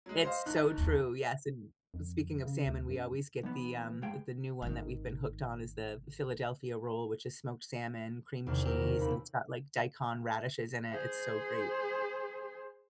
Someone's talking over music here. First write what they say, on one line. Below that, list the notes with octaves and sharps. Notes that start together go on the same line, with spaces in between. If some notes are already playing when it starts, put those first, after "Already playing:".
It's so true, yes, and speaking of salmon, we always get the, um uh, the new one that we've been hooked on is the Philadelphia roll, which is smoked salmon, cream cheese, and it's got, like, daikon radishes in it, it's so great.
F#3 G#3
C5 D#5 F5
G#1 D#4 F#6
D#2 D#3
F2
C#3
D2
F#2
B1 E3 B3
G2 G#3 G5
G#1 D#3
G1 E2 C3 D#3
E4 G4 A#4 G5
D#3
D#2 B5
G#4 C5